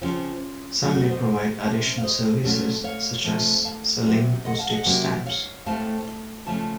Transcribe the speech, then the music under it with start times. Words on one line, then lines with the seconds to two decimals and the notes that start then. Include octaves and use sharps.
Some may provide additional services, such as selling postage stamps.
0.01 C#3 F3 C4 C#4 F4
0.82 A2 F#3 A3 C#4 D#4 F#4
0.96 D#4 F#4
1.09 C5 D#5
1.63 C3 F3 A#3 C#4
1.98 F5
2.03 C5 D#5
2.44 A#2 F#3 A3 C#4
2.84 C#5 F5
3.25 C3 F3 A3
3.65 F5 A5
4.05 C3 F#3 C4
4.45 D#5 F#5
4.58 F5 A5
4.72 D#5 F#5
4.86 C3 F#3 A#3 C#4
5.26 C#5 F5
5.66 A2 A3 C4 F5 A5
6.47 C#3 F3 A3 C#4 F5 A5